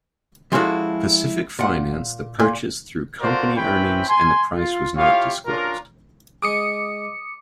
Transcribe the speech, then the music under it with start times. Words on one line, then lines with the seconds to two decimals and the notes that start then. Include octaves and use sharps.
Pacific financed the purchase through company earnings and the price was not disclosed.
0.52 F3 G#3 C#4 E4 F#4 A4
1.59 A#2 F#5
2.39 A#2 G#5
3.21 F4 F#4 A4 A#4 C5 D5
3.55 C4 C#4 E4 B4 G5 B5
4.08 G#5 C6
4.54 F4
4.96 E4 F4 G4 C#5 F5
5.46 C#4 D4 F4 A#4
6.42 G#3 G#4 D6 D#6 C#7